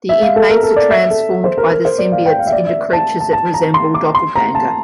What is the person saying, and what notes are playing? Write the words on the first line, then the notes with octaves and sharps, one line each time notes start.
The inmates are transformed by the symbiotes into creatures that resemble Doppelganger.
E5
F5
A4
A#4
A4
D5
E5
A4
C5
A#4
A#4
C5
D5
F5
G5
F5
E5
D5
E5
A5
A5
A5
A#5
C6
D6
C6
A#5
A5